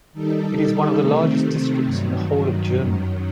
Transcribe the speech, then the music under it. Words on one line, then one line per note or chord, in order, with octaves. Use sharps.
It is one of the largest districts in the whole of Germany.
D#3 G3 D#4 A4
C3 D#3 A3 C4
G2 D#3 F#3
F#2 D#3 F#3